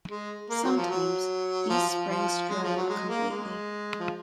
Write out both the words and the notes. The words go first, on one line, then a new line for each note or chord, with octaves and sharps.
Sometimes, these springs dry up completely.
G#3
A#3
F#3
F3
F#3
F3
F3
F3
G#3
F3
F#3
G#3
A#3
G#3
F3